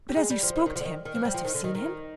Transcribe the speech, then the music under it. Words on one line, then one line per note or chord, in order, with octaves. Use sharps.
"But as you spoke to him you must have seen him."
G3
G#3
G3
F3
D#3
D#3
F3
D3
D#3
D#3
F3
G3
F3
D#3
D3
D#3
D#3